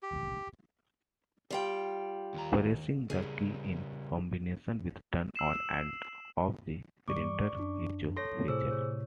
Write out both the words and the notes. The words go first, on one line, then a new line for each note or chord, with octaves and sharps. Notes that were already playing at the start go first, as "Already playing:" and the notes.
Pressing the key in combination with turns on and off the "printer echo" feature.
G4
G3 F4 G5
D#2 A#5
C#3 G3 G#4
E6 C7 E7
G2 E3 G3 D5 C#6 D6
F#2 D4
A4 C#5 C6 A#6
A2 C3 G#4 C5 E6
C#5